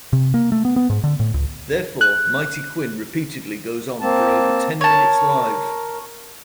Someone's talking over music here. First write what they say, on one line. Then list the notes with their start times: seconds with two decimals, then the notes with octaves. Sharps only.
Therefore, "Mighty Quinn" repeatedly goes on for over ten minutes live.
0.13 C3
0.34 A#3
0.52 A3
0.65 B3
0.76 B3
0.90 G#2
1.04 D3
1.20 A2
1.34 C#2
2.01 F#6
4.00 A#3 C4 A5
4.81 A#4 C#5 A5